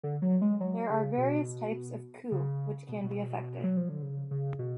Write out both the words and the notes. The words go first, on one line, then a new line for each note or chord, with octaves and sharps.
There are various types of coup which can be effected.
D3
F#3
G#3
F#3
C#3
B2
C#3
B2
B2
F#3
F3
D3
C#3
C#3
B2